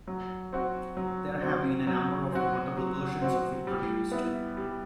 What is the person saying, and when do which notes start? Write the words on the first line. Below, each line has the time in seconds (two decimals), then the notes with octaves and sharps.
There have been a number of notable versions of it produced.
0.08 F#3
0.53 C4 F#4
0.97 F#3
1.42 C4 F#4
1.87 F#3
2.32 C4 F#4
2.77 F#3
3.22 C4 F#4
3.67 G3
4.12 B3 E4
4.57 G3